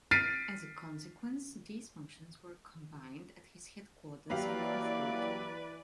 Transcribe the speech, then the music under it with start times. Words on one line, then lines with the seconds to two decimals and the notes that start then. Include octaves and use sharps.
As a consequence these functions were combined at his Headquarters in Northwood.
0.11 F6 A6 B6 C7 D7 D#7
4.30 E3 F#3 A#3 G4 B4 D5 F5